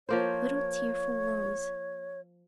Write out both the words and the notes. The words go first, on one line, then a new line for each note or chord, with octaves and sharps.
Little tearful rose!
F3 A#3 C5 C#5